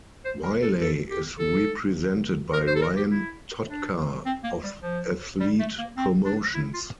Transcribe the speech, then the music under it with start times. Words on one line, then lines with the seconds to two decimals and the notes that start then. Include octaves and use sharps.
Wiley is represented by Ryan Totka of Athlete Promotions.
0.25 C5
0.43 A#4
0.62 A4
0.81 A4
1.11 G4
1.39 A4
2.53 A#4
2.67 C5
2.76 A4
2.82 A#4
2.97 G4
3.11 E4
3.68 D4
4.26 C4
4.44 A#3
4.63 G3
4.82 F3
5.40 G3
5.59 A3
5.78 A#3
5.97 C4
6.25 D4
6.54 E4
6.73 F4